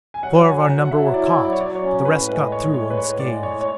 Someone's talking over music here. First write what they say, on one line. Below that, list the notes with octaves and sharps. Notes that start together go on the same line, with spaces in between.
Four of our number were caught, but the rest got through unscathed.
G#5
F#3 F#5
F#3 G#5
G#5
F#3 F#5
F#5
F#3 E5
E4 D5
F#3
D5
C#5
F#3 D5
C#5
C#4
A2 B4
G#3 B4
A2 C#5
G#3 C#5
B4
A2 C#5
G#3 D5
A2 C#5
C#5